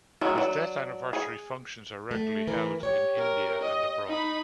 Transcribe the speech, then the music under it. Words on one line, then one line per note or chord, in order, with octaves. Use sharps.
His death anniversary functions are regularly held in India and abroad.
D#3 F#3 G#3 A3
F#3 D4
G#4
A3
E3 A#4
G4 C#5
A#4
D#5
D#4 B5